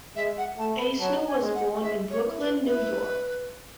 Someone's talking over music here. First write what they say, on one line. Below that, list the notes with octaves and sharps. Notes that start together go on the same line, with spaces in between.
Eisner was born in Brooklyn, New York.
G#3 E5
F#5
A3 A5
B5
F#3 A5
G#5
G#3
F#5
G#3 E5
C#5
E4
B4
E4 B4